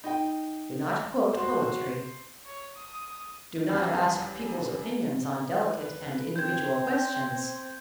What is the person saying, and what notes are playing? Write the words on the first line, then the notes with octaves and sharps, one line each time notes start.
Do not quote poetry; do not ask people's opinions on delicate and individual questions.
D#4 G5
F#4 C5 C6
C#5
D#6
E2 G3 C#4 B5 E6
B4
C4 C5 G6 G#6